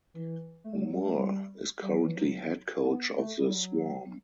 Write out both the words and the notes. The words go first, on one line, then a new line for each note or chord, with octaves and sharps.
Moore is currently head coach of the Swarm.
E3
A3
G3
F#3
G3
A3
G3
G3
F#3
E3
F#3
B3
A3
G3
F#3